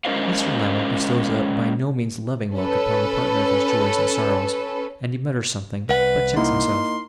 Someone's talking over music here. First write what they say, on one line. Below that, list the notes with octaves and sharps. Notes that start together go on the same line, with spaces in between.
Mr Lammle bestows a by no means loving look upon the partner of his joys and sorrows, and he mutters something; but checks himself.
G#3 C#4 A#4 C5 D#5 F5
C#4 A4 B4
C2 B4 F#5
A#3 D#4 E4 C6